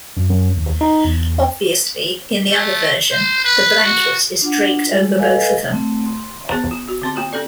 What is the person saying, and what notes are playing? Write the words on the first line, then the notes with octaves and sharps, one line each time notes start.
Obviously, in the other version, the blanket is draped over both of them.
F#2
F#2
D#2
D#4
E2
A3
C5
B4
F#4
D4 F4 F#5
G3 G#3 F4 G#4
A4 B4 D#5 F5 G#5
A3 C4
C6
B3 G#4 C5
F4
F#4
D3 C4 C6
A#3 F4 G4
C#4 G4 A4 D5